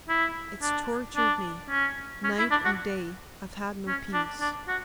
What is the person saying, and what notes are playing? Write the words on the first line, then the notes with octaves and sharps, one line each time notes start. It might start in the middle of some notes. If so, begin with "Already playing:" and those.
It's tortured me--night and day--I've had no peace.
E4
D4
D4
C#4
C#4
E4
D4
F#4
C#4
D4
D4
F#4